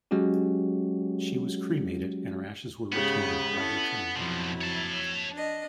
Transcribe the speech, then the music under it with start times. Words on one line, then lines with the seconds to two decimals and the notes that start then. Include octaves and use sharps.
She was cremated and her ashes were retained by her trainer.
0.11 F#3 G#3 C#4 F#4 G4
2.92 G#2 C#3 B3 G4
3.56 C#4 E4 A4
4.16 F2 B2 F3 F#3 E4
4.61 C#5 A5
5.32 D4 D#5